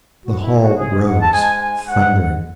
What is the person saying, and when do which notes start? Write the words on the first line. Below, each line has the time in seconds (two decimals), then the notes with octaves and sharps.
The hall rose, thundering.
0.24 G#2 G#3 F#4
0.42 E4
0.61 F#4
0.78 G#2 G#3 G#4
1.06 F#5
1.22 A5
1.33 G#2 G#3 G#5
1.61 G#5
1.88 G#2 G#3 F#5